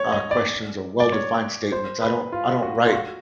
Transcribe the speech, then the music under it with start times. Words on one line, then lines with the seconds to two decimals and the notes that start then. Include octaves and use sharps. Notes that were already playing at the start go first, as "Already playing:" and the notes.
uh, questions or well-defined statements. I don't I don't write
Already playing: C#5
0.12 D#5
0.31 D5
1.00 D5
1.12 C#5
1.72 C5
2.02 B4
2.32 F4
2.63 F#4
2.87 F4
2.93 F#4